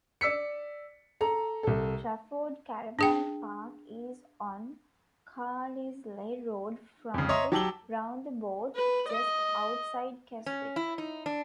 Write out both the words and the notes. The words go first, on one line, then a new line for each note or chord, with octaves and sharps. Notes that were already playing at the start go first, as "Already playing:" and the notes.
Trafford Caravan Park is on Carlisle Road from the roundabout just outside Keswick.
D5 E6 B6 C#7
A4 A#5
C2 A4
D4 G#4 G5
F2 C#3
C#5 D#5 E5 A#5 C6 D#6
F#3 G4 A5 E6 F#7 G7
B4
D#5
C#4
E4
D#4
D4